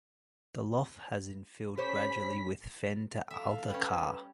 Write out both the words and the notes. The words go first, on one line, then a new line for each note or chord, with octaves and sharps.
The lough has infilled gradually with fen to alder carr.
C#4 G4 C5 C#5 B5 B6
A4 E5 F5
G3 C#4 B4